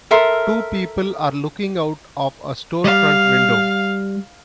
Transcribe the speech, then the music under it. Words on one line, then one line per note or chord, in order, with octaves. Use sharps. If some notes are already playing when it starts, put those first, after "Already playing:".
Two people are looking out of a storefront window.
A4 A#4 E5 C6
G3 F5